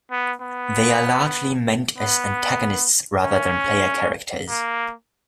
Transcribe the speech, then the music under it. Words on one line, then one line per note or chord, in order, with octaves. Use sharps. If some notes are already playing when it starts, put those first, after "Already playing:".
They are largely meant as antagonists rather than player characters.
B3
B3
B3
C#4
A#3